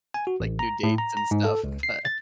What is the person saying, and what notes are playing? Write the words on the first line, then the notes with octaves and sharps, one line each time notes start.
like, new dates and stuff, but
G#5
F#4
A1
A#5
A2
A#5
A#5
G#2
A4
C#2
C7
A6